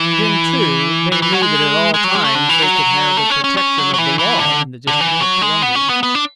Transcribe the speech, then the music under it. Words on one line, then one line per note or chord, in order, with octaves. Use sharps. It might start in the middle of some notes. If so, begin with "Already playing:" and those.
Then, too, they knew that at all times they could have the protection of the law in the District of Columbia.
Already playing: E3
E3
E3
F#3
G#3
G#3
F#3
G#3
A3
D3
E3
F#3
A3
C#4
C#4
C#4
F#3
F#3
E3
E3
D3
D3
E3
F#3
G#3
B3
C#4
B3
B3
D4